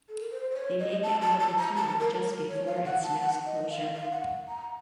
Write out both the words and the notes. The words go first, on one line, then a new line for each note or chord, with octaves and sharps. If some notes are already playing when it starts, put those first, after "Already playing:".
They make it out of the tunnel just before its next closure.
A4
A#4
C5
C5
C#5
D#5
A5
A5
A5
A#5
A5
A#4
A#4
C#5
F5
F#5
A5
F#5
D#5
F5
F5
F#5
A#5